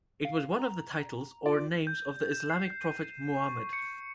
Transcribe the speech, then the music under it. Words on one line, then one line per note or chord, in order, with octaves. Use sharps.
It was one of the titles or names of the Islamic prophet Muhammad.
F5
A#5
F4 D5
G6
E7
C7
D#7
C#6
C#7